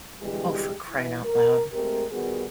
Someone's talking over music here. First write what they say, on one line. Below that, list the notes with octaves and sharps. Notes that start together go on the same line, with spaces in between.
Oh, for crying out loud.
B2 D3 E3 G3 G#3 G4
E3
A#4
G#3 A3 C4 G4 A#4
D#3 G3 B3 F#4 G#4 A#4